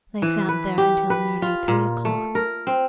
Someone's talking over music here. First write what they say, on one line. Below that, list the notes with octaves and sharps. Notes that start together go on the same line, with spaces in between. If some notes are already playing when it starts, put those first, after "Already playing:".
They sat there until nearly three o'clock.
E3
B4
G4
B4
F4
A#2
A3
A#4
C4